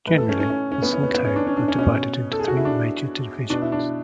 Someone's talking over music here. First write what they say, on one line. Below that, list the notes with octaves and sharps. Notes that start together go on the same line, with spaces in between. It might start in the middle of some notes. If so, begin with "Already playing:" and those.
Generally, the Saulteaux are divided into three major divisions.
A2 E3 B4
A4
C#4
C#4
C#4
C#4
B3
C#4
B3
B3
C#4
D4
C#4
D4
C#4
B2 C#4
A4
G#4
F#4
E4
D4
B2 D4
E4
D4